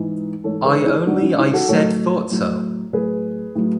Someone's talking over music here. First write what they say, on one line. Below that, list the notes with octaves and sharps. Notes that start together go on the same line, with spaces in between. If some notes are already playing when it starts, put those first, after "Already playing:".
I only I said thought so.
Already playing: G#2 E3
G#2 E3 A4 C#5
G#4 B4
E4 G#4
G#2 E3 D4 F#4
C#4 E4
C#4 E4
F#4 A4
A2 F#3 A4 C#5
A2 F#3
A2 F#3 G#4 B4
A2 F#3